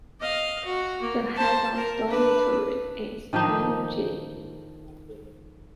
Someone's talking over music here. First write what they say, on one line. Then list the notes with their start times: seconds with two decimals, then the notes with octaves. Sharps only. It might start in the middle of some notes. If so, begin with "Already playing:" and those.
The head of dormitory is Tennouji.
0.20 D#5 F5
0.65 F#4
1.02 A#3
1.36 C5 A5
1.76 A#4
2.08 D4 B4
3.33 D#3 F3 D4 D#4